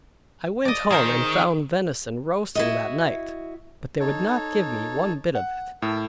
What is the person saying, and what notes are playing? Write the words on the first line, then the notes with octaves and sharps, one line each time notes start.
I went home and found venison roasting that night, but they would not give me one bit of it.
D5 D#5
D#3 G#4 A#4 C5
E4 F#4 D#5
D#4 A4 C#5
F#5
A2 A4 A#4 E6